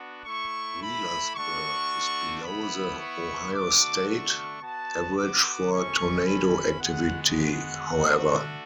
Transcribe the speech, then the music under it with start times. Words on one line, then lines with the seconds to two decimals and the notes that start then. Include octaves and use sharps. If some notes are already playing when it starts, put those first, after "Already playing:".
Wheelersburg is below the Ohio state average for tornado activity, however.
Already playing: B3 D4 F#4
0.25 A3 E4 C#6
0.81 B5
1.35 A3 D4 F#4 C#6
2.43 B3 E4 B5
2.98 C#6
3.53 A3 D4 F#4 D6
4.07 C#6
4.62 B3 F#4 A5
5.16 D6
5.71 A3 C#4 E4 C#6
6.25 B5
6.80 G#3 B3 F#4 F#5
7.35 F#5
7.88 A3 D4 F#4